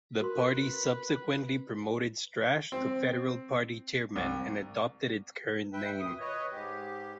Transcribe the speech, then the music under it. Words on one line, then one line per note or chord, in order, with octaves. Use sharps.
The party subsequently promoted Strache to federal party chairman and adopted its current name.
F#4 A#4 B4 C6
C4
C2
B4 E5 G5
D2 A#2 D#6
B4 C#5 D#5
G#2 G4